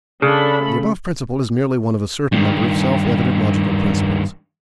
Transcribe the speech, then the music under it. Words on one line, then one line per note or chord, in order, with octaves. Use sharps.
The above principle is merely one of a certain number of self-evident logical principles.
C#3 D4 A4 B5
A3
G2 D#3